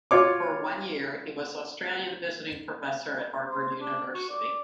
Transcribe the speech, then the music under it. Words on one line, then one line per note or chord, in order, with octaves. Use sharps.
For one year, he was Australian Visiting Professor at Harvard University.
F4 F#4 C#5 D6
C5
D4
F#4
D5